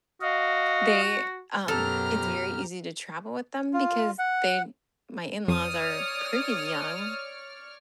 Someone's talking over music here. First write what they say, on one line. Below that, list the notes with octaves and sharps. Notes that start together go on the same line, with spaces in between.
they um, it's very easy to travel with them because they my in-laws are pretty young.
F#4 D#5 F5
F#2 B2 G4 A4 A#5 F6
F4
F#5
F2 C#5 D5 D#6 F6